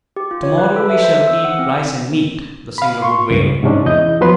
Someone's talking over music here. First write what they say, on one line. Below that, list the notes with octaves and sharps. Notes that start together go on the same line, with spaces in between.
"To-morrow we shall eat rice and meat," the singer would wail.
G4
F4
C#5
B4
A4
E5
C5
E6
F#5
C4
F5 B5
C6 C#6
C#2 G2
G#2 C3 G#3 C#4 D4
E2 E4 D#5 G6
F3 F#3 B3 B4 C6